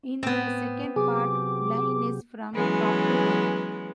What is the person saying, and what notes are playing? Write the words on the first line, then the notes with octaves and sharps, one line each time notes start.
In the second part, line is from top to bottom.
A2 B3 C4
C3 F#3 G4 G#4 D6
E3 F#3 G#3 B3 C#4